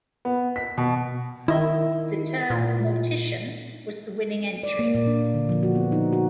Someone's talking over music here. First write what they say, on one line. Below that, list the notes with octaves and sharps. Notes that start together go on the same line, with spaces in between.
The term "Mortician" was the winning entry.
B3
B6
B2
D#3 E4 D#5 E5
A#2
D5
A#3
A#2
D4
D3
F3
F#4
B3
D#4
F#4